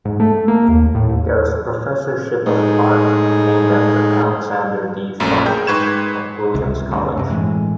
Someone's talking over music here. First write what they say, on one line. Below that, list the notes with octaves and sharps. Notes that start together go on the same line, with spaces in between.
There is a professorship of art named after Alexander D. Falck at Williams College.
G#2
A3
A#3
D#2
A2
D#2
A2 G#3 D#4
A#1 F#2 A3
G#4 A#4 G5 G6
G#2 B4 C#6 G#6 E7
C#2 C3
D2 G2
G2 C3
A2 E3 G#3